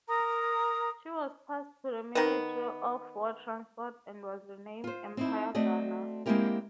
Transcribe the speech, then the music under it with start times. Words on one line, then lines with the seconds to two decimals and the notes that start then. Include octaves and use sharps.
She was passed to the Ministry of War Transport and was renamed "Empire Garner".
0.07 A#4 A#5 D#6
2.15 D#3 B3
4.84 F4 C5
5.17 C4 D#4 E4
5.55 A3 C4 F#4 D5 D#5
6.26 G#3 A#3 C4 E4 G4 A#4